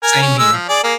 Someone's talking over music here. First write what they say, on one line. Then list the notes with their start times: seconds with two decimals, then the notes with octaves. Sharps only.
Same here.
0.03 A#4 G#5
0.22 C#4
0.39 G#3 E6
0.52 F3
0.69 G#4 D5
0.84 A#3 G#4